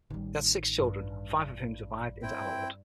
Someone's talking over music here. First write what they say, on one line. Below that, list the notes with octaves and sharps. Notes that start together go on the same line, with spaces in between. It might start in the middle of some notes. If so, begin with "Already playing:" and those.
They had six children, five of whom survived into adulthood.
A1 D#3 G3
G2
C4 E4 G5